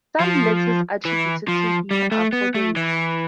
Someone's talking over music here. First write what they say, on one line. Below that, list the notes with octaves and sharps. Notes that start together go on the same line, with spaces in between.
Some letters attributed to him are forgeries.
F3
E3
F3
G3
A3
B3
A3
E3